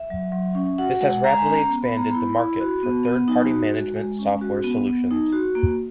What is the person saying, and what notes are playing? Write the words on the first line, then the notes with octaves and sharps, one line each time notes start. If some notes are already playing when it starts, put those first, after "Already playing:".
This has rapidly expanded the market for third-party management software solutions.
Already playing: E5
F#3
F#3
C#4
F#4 F#5
G#3 F#5
G#3 A#5
G#5
C#4 A#5
B3
B5
B3 A#5
E4 B5
E4
F#4
B3
B3
D#4
F#4
G#3
G#3
C#4
F#4
B3
B3
D#4
F#4
A#3